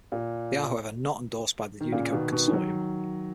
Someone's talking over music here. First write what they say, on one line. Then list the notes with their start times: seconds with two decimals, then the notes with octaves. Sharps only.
They are however not endorsed by the Unicode Consortium.
0.12 A#2
1.81 D#3
1.92 A#2 C#3
2.12 B2 D#3
2.32 B2 D#3
2.48 E3
2.53 D#3 F#3